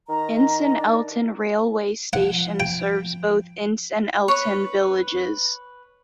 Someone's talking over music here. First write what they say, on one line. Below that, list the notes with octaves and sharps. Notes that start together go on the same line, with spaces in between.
Ince and Elton railway station serves both Ince and Elton villages.
D#3 A#5
D4
F3 F#5
G5
B4 C#5